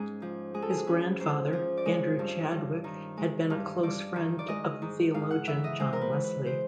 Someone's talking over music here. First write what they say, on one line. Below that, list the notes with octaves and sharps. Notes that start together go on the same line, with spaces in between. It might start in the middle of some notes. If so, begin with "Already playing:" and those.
His grandfather, Andrew Chadwick, had been a close friend of the theologian John Wesley.
Already playing: G#2 G#3 C#4 G#4
F3
G#3 G#4
A4
G#4
C#4 B4
G#2 C5
F3
D5
G#3 C#5
G2
G2
D#3
G#3
G2
G2 D5
D#3
D5
G#3 D#5
G#2
G#2 F5
F#5
E3 E5
D#5
G#3 C5
A#4
B4
G#2
B4
C5